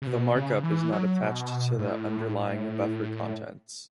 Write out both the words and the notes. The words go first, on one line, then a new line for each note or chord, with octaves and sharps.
The markup is not attached to the underlying buffer contents.
C#3
B2
C#3
E3
F#3
B2
A2